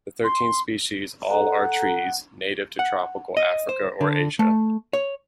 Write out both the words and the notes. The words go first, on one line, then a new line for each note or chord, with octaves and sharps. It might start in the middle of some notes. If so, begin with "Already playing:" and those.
The thirteen species all are trees, native to tropical Africa or Asia.
C6
A4 F#5 A#5
F#5
D#5
C5
D3
A3
C#5